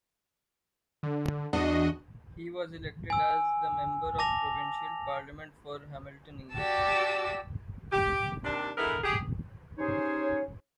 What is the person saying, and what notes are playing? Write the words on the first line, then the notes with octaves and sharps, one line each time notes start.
He was elected as the Member of Provincial Parliament for Hamilton East.
D3
E2 D4 F#4 D#5
G#5 E6
A5 D6 A#6 F7
F#4 G4 D5 A5 E6
G4
D#2 C3 D#3 D4
D3 E3 G#3 B3 E4 A#4
G4 G#4
C#4 D#4 G4 G#4 C5 C#5